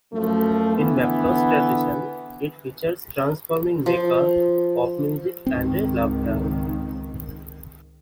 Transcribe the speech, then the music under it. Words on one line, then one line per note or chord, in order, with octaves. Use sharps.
In "Macross" tradition, it features transforming mecha, pop music, and a love triangle.
F#2 F3 A3
D3 E3 B3
F3
C#2 G#2 D#3 C4